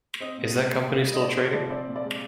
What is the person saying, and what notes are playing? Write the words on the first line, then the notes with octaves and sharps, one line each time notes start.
Is that company still trading?
C4 D#5
A#2
G#3
A#3
A#2
G3
D#5
C4 D5
C3 C5
F3 D5
C4 D5
A#2
D5
G#3